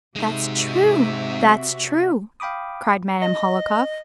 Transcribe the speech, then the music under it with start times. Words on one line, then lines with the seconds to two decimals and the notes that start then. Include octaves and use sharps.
"That's true, that's true," cried Madame Hohlakov.
0.16 C3 G#3 D#4 F#4 E5
2.40 F5 G5 B5 D6 D#6
3.22 D#5